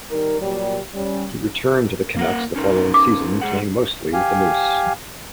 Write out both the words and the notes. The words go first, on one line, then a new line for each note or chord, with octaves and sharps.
He returned to the Canucks the following season playing mostly with the Moose.
D#3 G3 D#4 A#4
A#2 F#3 G3
G3 C#4
A#3 A#4 F#5
C#4 D#4 A#4
D6
G#3 G#4 F#5
G4 F5 G#5